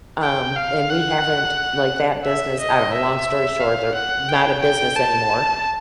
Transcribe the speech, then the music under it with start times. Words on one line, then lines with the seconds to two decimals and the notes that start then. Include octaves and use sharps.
um, and we haven't like, that business I know, long story short, they're not a business anymore.
0.22 G5
0.56 F5
0.90 F#5
2.25 E5
2.59 D#5
2.93 E5
3.60 F5
3.95 F#5
4.29 G5
4.62 G5
4.96 A5